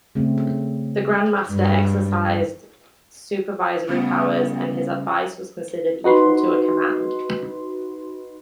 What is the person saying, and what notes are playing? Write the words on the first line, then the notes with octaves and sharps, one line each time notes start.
The grandmaster exercised supervisory powers and his advice was considered equal to a command.
C#3 A3 C4
G2
C#3 G3 B3
D#4 F#4 B4 C6